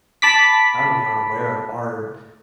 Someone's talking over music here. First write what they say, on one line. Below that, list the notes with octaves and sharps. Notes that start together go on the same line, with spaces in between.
not only aren't aware of are,
A5 B5 D6 B6